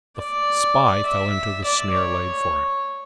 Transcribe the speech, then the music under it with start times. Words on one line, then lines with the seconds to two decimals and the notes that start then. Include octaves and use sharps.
The spy fell into the snare laid for him.
0.17 D5
1.06 E5
1.64 D5
1.94 C#5